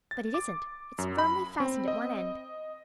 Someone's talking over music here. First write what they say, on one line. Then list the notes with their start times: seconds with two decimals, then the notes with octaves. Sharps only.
But it isn't--it's firmly fastened at one end.
0.11 A6
0.34 D6
0.98 F#2
1.18 B5
1.60 C4
1.88 D#5